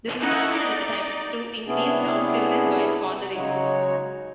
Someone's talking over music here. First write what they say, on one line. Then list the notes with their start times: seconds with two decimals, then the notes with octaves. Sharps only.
This was done in an attempt to increase ground clearance while cornering.
0.18 C#4 D#4 E4 A4 F#5
0.50 D#4 D5
1.67 C3 B3 C#4 D4 E4 G#4
3.34 C#3 F#3 G#3 D#4 F#4 C#5